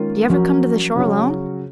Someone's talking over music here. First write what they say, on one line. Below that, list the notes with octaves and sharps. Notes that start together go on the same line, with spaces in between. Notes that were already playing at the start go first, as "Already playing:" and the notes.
"Do you ever come to the shore alone?"
Already playing: D#3 G#3 A#3 C#4 F4
F3 F#3 A#3 C#4 F#4
C#3 F#3 C#4 F#4